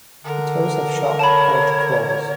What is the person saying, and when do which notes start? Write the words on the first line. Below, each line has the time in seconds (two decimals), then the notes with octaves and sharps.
The toes have sharp, curved claws.
0.25 D3 A#4
1.19 C#5 A5 B5